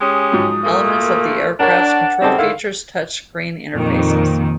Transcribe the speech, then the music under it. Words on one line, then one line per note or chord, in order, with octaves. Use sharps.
Elements of the aircraft's controls feature touchscreen interfaces.
G#3 C#4 G4 D#6
G#2 F3 F#3
A#2 A3 A#3
D4 A#4 C#5 F#5
C#3 G3 C4 D#4 A4
D3 D#3 E4 F5
F2 A#2 D#3